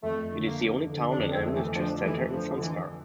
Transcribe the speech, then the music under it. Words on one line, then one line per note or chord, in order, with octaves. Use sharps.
It is the only town and administrative centre in Zanskar.
F2 A3
D3
A#3
D4
D3
D4
F2
C4
A3
E3
F3 D4
E3 A3
F3 D4
D3
E3 D4